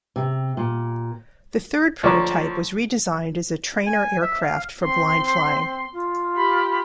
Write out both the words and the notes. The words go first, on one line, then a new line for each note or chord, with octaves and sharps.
The third prototype was re-designed as a trainer aircraft for blind flying.
C3
A#2
D2 F3 A#3 C#5 D6
G#5
E5
F5
C4 C6
F4
G4 B5